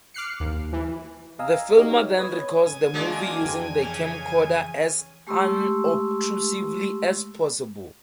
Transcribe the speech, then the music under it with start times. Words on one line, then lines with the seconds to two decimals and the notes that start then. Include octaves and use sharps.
The filmer then records the movie using the camcorder as unobtrusively as possible.
0.14 D6 F6 F#6 C7 C#7
0.40 D#2
0.73 E3
1.39 D#5 F5 G#5 A#5 E6
1.77 D#4 F#4 G4 C#5 D#5 F5
2.18 B4 C#5 D#6 G#6
2.67 C#4 G#5
2.94 G#3 A#3 D4 F#4
3.40 F2 E3 G5
3.82 C#3
5.27 G#3 A3 G4 C6 C#6 E6